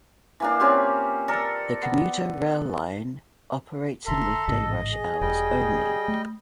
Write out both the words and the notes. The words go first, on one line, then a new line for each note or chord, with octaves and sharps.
The commuter rail line operates in weekday rush hours only.
E3 A#3 D4
C4 C#4 F4 G4
A4 A#4 D5
B3
F1 B2 D3 A4 E5 A#5 C6
A1 G#2 C#3 D#5
G#4
E1 G3 D#5 G5
A3